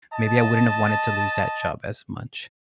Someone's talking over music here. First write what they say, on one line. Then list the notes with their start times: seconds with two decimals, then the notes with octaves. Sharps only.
maybe I wouldn't have wanted to lose that job as much.
0.14 D#5 A5